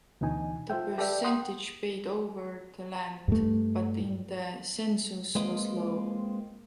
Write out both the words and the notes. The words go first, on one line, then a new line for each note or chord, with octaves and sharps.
The percentage paid over the land put in the census was low.
D2 B2 E3 D#4 G#5
F4 A4 C5 E5 G5
G4 A4 B4 D5 E5 G5
F#5 G5 C6 D#6
G2 A3
G#3 A#3 C4 F4 B4 D#5